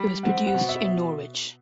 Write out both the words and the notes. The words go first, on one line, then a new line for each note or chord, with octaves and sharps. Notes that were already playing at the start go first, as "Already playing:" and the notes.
It was produced in Norwich.
Already playing: G3
C4 F#5
F#5
B2
E5